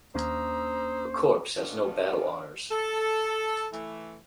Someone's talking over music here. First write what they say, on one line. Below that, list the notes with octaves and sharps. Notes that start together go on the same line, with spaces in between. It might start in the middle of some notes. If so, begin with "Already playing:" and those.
The Corps has no battle honours.
D#2 A#3 C#4 D4 C5 A#5 D#6 E6
D3 D#3 F3 B3 C#4 D4
A4
E3 A3